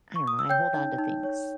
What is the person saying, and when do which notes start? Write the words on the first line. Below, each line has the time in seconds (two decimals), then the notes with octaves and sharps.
I don't know. I hold on to things.
0.16 C#6
0.27 D#6
0.39 E6
0.49 C#5 G5 G6
0.74 D#4
0.99 D#4
1.23 C#5